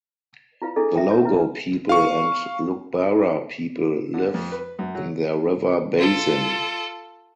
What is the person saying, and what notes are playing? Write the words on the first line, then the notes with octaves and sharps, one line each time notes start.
The Logo people and Lugbara people live in the river basin.
E4 F4 B4 F5
D4 E4 F4 G#4 A4 D#5
E5 G5
C#5
D4 E4 B4
F5 C#6
D3
F2
B4
F#2
F#3
F4 A4